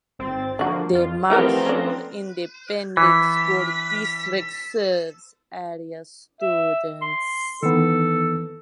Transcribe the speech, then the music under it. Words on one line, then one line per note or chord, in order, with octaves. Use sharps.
The Marshall Independent School District serves area students.
G#1 C4 A6
D3 F3 A#3 D4 F#4
F2 F4
E3 F3 G3 A3 B3 C4 A#4 A#5
C#4 D4
E3 B6
E5
C6
D#3 E3 B3 A4